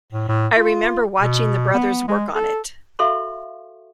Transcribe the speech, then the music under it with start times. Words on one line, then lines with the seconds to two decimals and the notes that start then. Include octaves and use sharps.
I remember watching the brothers work on it.
0.12 A2
0.29 A2
0.57 F4
1.21 B2
1.74 B3
2.08 G#3
2.34 A4
2.99 F#4 A4 E5 F5 C6 C#6